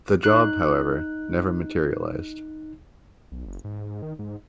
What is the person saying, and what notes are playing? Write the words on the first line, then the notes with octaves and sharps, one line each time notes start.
The job, however, never materialised.
D#4 F#6
B1
F#1
G#2
D#3
G#2